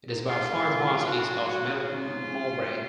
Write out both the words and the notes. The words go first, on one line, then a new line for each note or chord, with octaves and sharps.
It is about five miles east of Melton Mowbray.
G#2
G#2 F4
C#4
G#2
F#3
F4
G#2 F#4
F#3
F#3 F#4
C#4
G#2 F4
G#2
C#4
F#3
C3